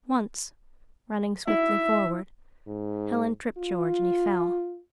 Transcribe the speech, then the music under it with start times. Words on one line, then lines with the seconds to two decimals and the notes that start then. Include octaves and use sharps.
Once, running swiftly forward, Helen tripped George and he fell.
1.47 E4 E5
2.67 G#2
3.58 F4